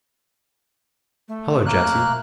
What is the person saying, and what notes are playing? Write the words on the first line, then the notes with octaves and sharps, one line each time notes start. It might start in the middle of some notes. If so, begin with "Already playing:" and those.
"Hello, Jesse."
A3
A#3 F#6